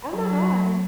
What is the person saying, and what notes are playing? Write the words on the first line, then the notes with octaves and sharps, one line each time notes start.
Oh my god.
F#3